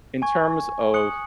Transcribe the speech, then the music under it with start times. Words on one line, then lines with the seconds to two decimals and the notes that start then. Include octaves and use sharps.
In terms of
0.22 G#5 C#6 G#6
0.94 D#6 F#6 C#7 F#7